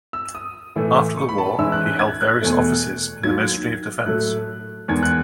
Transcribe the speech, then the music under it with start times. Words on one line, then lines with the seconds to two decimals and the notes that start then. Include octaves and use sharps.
After the war, he held various offices in the Ministry of Defense.
0.13 E6
0.35 D#6
0.76 A2 E3 A3
1.17 C#6
1.29 B5
1.38 A5
1.58 G#2 E3 G#3 C#4 E4 E6
1.72 F#6
1.86 F#6
1.99 G#6
2.21 F#6
2.42 E2 B2 A3
3.23 D#2 D#3 F#3 G#6
4.06 A2 F#3 A3 F#6
4.88 E2 D#3 G#3 G#6
5.03 F#6